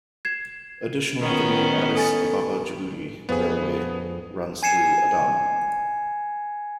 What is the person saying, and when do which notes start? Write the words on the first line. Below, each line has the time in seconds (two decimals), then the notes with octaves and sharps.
Additionally, the new Addis Ababa-Djibouti Railway runs through Adama.
0.25 G#6 C7 E7
1.19 D#3 B3 C#4
1.95 A4 G#5 A6
3.29 F2 B3 G#4
4.63 G#5 G#6 C7 C#7 E7